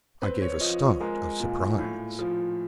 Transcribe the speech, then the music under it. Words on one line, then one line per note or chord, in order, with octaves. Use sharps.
I gave a start of surprise.
C4 B4
C#5
F3 D#5
G#3 A#4
A#2
A2
F3